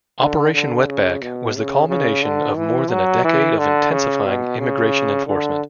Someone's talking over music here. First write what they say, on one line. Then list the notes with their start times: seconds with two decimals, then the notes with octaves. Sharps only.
Operation Wetback was the culmination of more than a decade of intensifying immigration enforcement.
0.20 D3
0.54 D3
0.88 C#3
1.22 B2
1.56 C#3
1.89 C#3
2.23 D3
2.57 E3
2.90 F#3
3.24 E3
3.58 D3
3.92 C#3
4.26 B2
4.59 C#3
5.26 D3